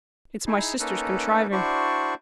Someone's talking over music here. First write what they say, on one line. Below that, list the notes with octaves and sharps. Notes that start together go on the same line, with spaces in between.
It's my sister's contriving.'
D#4 E4 G#4
A#3 C#4 D#4 A4 B4
D4 E4 F#4 C5 D5 C#6